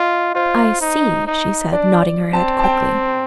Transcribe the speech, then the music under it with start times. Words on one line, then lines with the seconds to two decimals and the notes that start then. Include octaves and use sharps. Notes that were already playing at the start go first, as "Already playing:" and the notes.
"I see," she said, nodding her head quickly.
Already playing: F4 D#5
0.35 F4 C5
0.81 D#4
1.27 D#4
1.73 D4 D5
2.03 D5
2.33 C4 A5
2.59 A5
2.64 G5